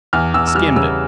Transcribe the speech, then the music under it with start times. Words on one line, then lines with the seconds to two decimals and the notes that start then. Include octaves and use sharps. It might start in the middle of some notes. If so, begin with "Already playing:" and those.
Skimmed it.'
0.13 E2 F6
0.34 E2 E6
0.48 E6
0.55 G3 F6
0.76 C#3 E6